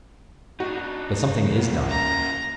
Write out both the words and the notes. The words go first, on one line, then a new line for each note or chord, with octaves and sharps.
But something is done.
D4 D#4 F#4
C#3 A#3
A#5